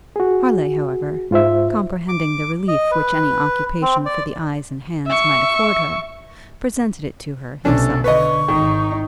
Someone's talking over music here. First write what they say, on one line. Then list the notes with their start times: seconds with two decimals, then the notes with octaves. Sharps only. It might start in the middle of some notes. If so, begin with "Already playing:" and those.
Harleigh, however, comprehending the relief which any occupation for the eyes and hands might afford her, presented it to her himself.
0.16 F#4 G#4
1.31 G#2 F4 C5 E5
2.09 D6
2.68 D#5
2.92 B4
3.82 C4
4.06 D5
5.07 E5 C#6
7.65 B1 C3 C#4 D4 A4
8.04 D3 B4 D#5 C#6
8.48 G#1 D#3 D#4